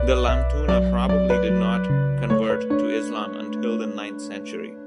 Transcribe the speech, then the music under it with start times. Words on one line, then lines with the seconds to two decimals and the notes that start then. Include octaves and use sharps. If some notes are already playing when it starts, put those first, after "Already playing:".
The Lamtuna probably did not convert to Islam until the ninth century.
Already playing: B1 B4 D5
0.28 B1 E5
0.68 F#3 D5
1.09 F#3 D5
1.30 B4
1.50 F#3
1.90 C#3
2.30 A3 C#5
2.50 B4
2.70 D4 C#5